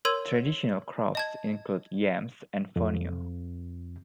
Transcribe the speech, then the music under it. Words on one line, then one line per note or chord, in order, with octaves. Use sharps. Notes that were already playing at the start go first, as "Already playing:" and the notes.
Traditional crops include yams and fonio.
A#4 C#5 C6 E6 G#6 D#7
D#5 A5 G#6
F2